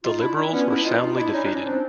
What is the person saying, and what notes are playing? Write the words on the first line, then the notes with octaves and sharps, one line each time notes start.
The Liberals were soundly defeated.
D#4 F4
D4 E4
D4 E4
B3 C#4
D4 E4
D#4 F4
D#4 F4
D4 E4
C#4 D#4
D4
C#4 D#4
C4 D4